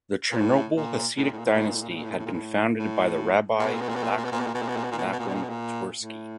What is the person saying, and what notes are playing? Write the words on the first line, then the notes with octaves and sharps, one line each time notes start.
The Chernobyl Hasidic dynasty had been founded by Rabbi Menachem Nachum Twersky.
A#2
A2
A#2
A2
A#2
A2
A#2
A2
A#2
A2
A#2
A2
A#2
A2
A#2
A2
A#2
A2
A#2
A2
A2
A#2
B2
A#2
B2
A#2
B2
A#2
B2
A#2
B2
A#2
B2
A#2
B2
A#2
B2
A#2
B2
A#2
B2
A#2
B2
A#2
B2
A#2
B2
A#2
A2